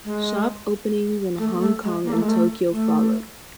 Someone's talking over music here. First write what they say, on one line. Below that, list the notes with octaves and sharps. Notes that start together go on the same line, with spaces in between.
Shop openings in Hong Kong and Tokyo followed.
G#3
A3
A#3
A3
G#3
A#3
A3
G#3
A3
A3